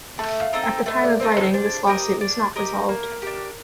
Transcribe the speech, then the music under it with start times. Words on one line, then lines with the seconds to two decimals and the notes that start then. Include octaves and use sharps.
At the time of writing, this lawsuit was not resolved.
0.19 A3 A5
0.41 F5
0.53 C4 D#4 A4
0.63 G5
0.86 A3
1.03 D5
1.20 C4 D#4 A4 C5
1.36 C5
1.54 D4 C5
1.87 G4 A#4 D#5
2.21 D4
2.56 G4 A#4 D#5
2.89 A#3 A#4
3.22 D4 G4